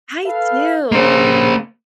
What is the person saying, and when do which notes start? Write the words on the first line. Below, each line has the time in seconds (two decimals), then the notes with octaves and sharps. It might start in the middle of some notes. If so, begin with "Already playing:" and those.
I do.
0.25 A4 B4 F5
0.92 G2 C#3 A#3 C5